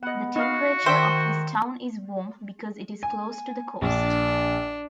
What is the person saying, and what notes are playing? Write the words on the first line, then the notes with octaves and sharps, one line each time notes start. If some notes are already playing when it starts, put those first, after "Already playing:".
The temperature of this town is warm because it is close to the coast.
B3 D#5 F#5
D#4 F#4 F5
D#3 C5 E5 G5 E6
G#5
A#1 D4